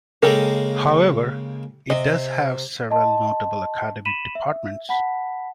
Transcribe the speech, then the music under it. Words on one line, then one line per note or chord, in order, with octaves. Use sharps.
However, it does have several notable academic departments.
C#3 G#3 A#3 G4 A4 A#4
C3 D#5
D#5 A5 C6
B5 B6 D#7 E7 F#7
E5
F#5 A5 B5 B6